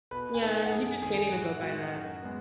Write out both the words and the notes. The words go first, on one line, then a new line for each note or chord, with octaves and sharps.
Yeah, you just can't even go by that.
B2 B4 B5
G#5
A3 D#4 A4 A5
F#5
F#2 G#4 G#5
D#3 A3 D#4 G#4 G#5
A2 F#4 F#5
G#3 D#4 F#4 F#5
F#2
G#3 B3